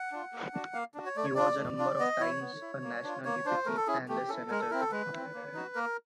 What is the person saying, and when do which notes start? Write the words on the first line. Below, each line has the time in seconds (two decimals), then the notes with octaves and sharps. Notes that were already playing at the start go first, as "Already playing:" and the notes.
He was a number of times a national deputy and senator.
Already playing: F#5
0.12 D4 F4
0.33 A#3
0.53 D4 F#4
0.73 A#3 F5
0.94 D4 F#4
1.06 C#5
1.16 A3 D5
1.24 C#5
1.35 D4 F4 D5
1.58 A3
1.79 D4 F4
1.99 B3 D#5
2.20 E4 C#5
2.41 B3
2.61 E4
2.83 A#3
3.04 D4 F4
3.25 A#3 C#5
3.45 D4 F4 C5
3.66 A3 A#4
3.77 A4
3.87 C#4 E4 G#4
4.08 A3 G4
4.29 C#4 E4 A4
4.50 G#3 A#4
4.60 A4
4.70 C4 E4 A#4
4.81 A4
4.92 G#3 B4
5.12 C4 E4
5.34 A#3
5.54 D#4 F#4
5.75 A#3 A#4